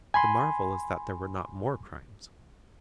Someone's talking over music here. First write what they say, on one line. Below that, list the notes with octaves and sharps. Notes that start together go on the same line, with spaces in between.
The marvel is that there were not more crimes.
G#5 B5 C6